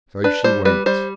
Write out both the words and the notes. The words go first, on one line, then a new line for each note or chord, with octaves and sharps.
So she went.
D4 B4
G3 C5
G3 B4
G3 C5